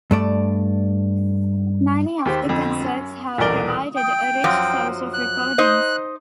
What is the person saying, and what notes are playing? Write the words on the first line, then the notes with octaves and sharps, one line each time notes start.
Many of the concerts have provided a rich source of recordings.
G2 A3 D5
D#2 G4 C5
F2 D3
F#2 C#4
D#1 B1 E3 A#4 D5 G7
G5
F#2 F3 F#3
F#6
D#4 C5 D#5